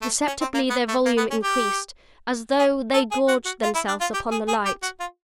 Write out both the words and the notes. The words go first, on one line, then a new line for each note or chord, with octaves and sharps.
Perceptibly their volume increased--as though they gorged themselves upon the light.
A3
C#4
C4
A#3
B3
A3
A#3
B3
C#4
G4
G#4
A4
G#4
F#4
F#4
F4
E4
D4
F4
G4
G#4
G#4
G4
F#4
F4